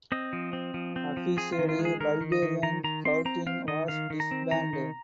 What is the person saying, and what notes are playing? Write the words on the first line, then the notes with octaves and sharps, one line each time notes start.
Officially Bulgarian Scouting was disbanded.
C4 D#5
F3
C4
F3
C4
F3
C4 G#4
F4
D#3
F4
G#3
G#4
D#3 A#4
D#3
D#5
D#3
D#3 A#5
D#3 A#5
C4 C6
C4 A#5
C4 F5
D#3 D#5
D#3 F5
D#3
A#5
C4
D#3 A#5
D#3